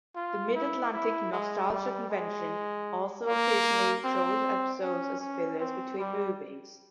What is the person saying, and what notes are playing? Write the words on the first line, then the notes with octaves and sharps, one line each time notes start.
The Mid-Atlantic Nostalgia Convention also occasionally shows episodes as fillers between movies.
F4
E4
E4
G#3
G3
G#3
A#3
C4
C#4
C#4
C4
G3